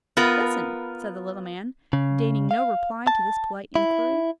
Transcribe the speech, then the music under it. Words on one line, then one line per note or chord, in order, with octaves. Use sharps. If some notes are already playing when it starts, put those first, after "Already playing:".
"Listen!" said the little man, deigning no reply to this polite inquiry.
B3 F4 A#4
C#3
F5
A5
E4